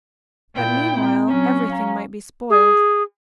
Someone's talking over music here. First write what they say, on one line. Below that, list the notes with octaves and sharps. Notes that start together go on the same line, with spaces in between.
But meanwhile everything might be spoiled.
A#2 E4 G5
C4 A#5
F#3 C#4
F5 A#5
G#4